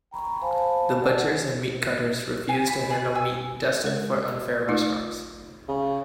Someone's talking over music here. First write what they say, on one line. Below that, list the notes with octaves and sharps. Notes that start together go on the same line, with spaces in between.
The butchers and meat cutters refused to handle meat destined for unfair restaurants.
G5 A#5 B5 C#6
C5 F5 G#5 A5 B5 C6
A#4 D5 D#5 F#5 G#5 A5
G#5
B5
G#4
G#5 E6
G#3 A#4
A3 D#4 F4
C#3